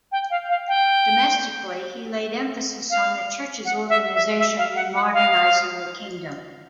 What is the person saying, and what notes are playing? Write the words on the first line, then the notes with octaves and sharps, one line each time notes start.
Domestically he laid emphasis on the church's organization and modernizing the kingdom.
G5
F5
F5
G5
F5
F#5
E5
E5
E5
F5
F#5
F#5
F5